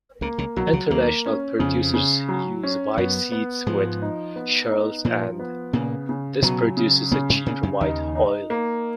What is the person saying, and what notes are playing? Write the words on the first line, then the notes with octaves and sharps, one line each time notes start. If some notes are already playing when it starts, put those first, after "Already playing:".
International producers use white seeds with shells and this produces a cheaper white oil.
C#2 C#3 A#3
C#2 C#3
B1 B2 F#3
D#3
C#2 C#3
D#2 D#3 A#3
C#4
F2 C#3 F3
C#3
F#3
C#4
F#2 F#3 B3
B3
G#2 F3 G#3
D#4
B3
D#4
A#2 F3 A#3
B3
A#2 C#3 A#3
C#3
B2 F#3 B3
C#3
A#2 C#3 A#3
G#2 G#3
A#2 C#3 A#3
F#2 F#3
D#2 D#3 D#4
D#4
A#3